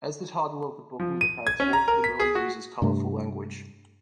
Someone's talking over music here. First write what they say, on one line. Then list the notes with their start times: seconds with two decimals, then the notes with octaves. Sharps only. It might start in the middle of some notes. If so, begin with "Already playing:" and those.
As the title of the book indicates, Wolfe liberally uses colorful language.
1.00 F3
1.21 D#7
1.47 G#6
1.60 C#4
1.73 A#5
1.88 A#4
2.04 B6
2.20 G#4
2.35 F#4
2.82 G2 C3 A3